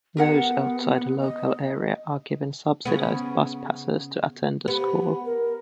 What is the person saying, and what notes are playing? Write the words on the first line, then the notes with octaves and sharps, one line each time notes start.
Those outside the local area are given subsidized bus passes to attend the school.
B3 G4 A#4 F#5
D#5
C#3 B3
B3 G4
A#4